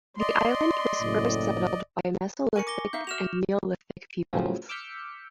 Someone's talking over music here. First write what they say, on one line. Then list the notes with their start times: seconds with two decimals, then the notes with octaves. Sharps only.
The island was first settled by Mesolithic and Neolithic peoples.
0.20 D5 D#5 C6
1.02 F#1 A2
2.56 A#4 G#5 C#6 C#7
2.67 D6 A#6 G7
2.93 D#4 E5 F5 G6
3.07 F#4 E5 F6 E7 F7
4.33 A2 C#3 F3 F#3 C4 C#4
4.69 D6 E6 F6 G6 B6 C#7